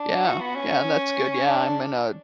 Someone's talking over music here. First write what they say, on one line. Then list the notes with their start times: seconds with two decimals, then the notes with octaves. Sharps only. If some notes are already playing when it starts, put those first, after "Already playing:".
Yeah, yeah, that's good yeah, I'm in a
Already playing: D4
0.25 F#4
0.40 B3
0.55 C#4
1.47 D4